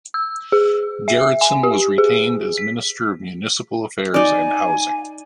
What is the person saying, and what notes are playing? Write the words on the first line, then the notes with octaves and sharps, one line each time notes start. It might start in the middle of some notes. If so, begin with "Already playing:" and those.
Gerretsen was retained as Minister of Municipal Affairs and Housing.
E6
G#4
E5
G#5
G4
G#4
B6
D#4 D5 G#5